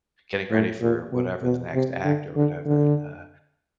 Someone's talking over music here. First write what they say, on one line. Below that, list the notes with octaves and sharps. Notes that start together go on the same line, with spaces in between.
getting ready for whatever, the next act or whatever, and, uh,
A2
A#2
B2
B2
C3
D3
D3
D3